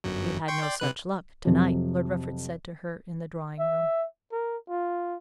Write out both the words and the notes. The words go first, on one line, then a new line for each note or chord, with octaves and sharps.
"We've had no such luck to-night," Lord Rufford said to her in the drawing-room.
G1 F#2 F#3
G5 C6 C#6
D5 G5 C6
C3 B4 F#6
F2 C3 F#3
E5
A#4
F4